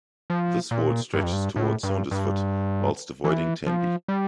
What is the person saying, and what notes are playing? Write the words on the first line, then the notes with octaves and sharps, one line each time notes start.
This ward stretches towards Saundersfoot whilst avoiding Tenby.
F3
A#2
G2
F2
G2
A2
G2
G2
E3
F3
G3